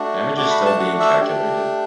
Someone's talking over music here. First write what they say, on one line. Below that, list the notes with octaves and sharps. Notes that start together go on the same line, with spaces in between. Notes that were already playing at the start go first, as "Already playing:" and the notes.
Damage is still being calculated.
Already playing: A3 D4 F#4
A3 D4 F#4 D6
B5
A5
F#5
E5
A3 D4 G4